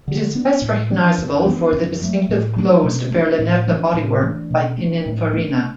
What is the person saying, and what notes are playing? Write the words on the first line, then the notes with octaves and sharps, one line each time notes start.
It is best recognisable for the distinctive closed berlinetta bodywork by Pinin Farina.
D3
B3 D4
A2
E3 D4
F#2
E3 B3 D4
F#2
F#3 A3
A2
F#3 A3 D4
B2
A3 D4
A2
E3 A3 D4
A2
E3 A3 D4
B2
A3 D4
A2
A3
D4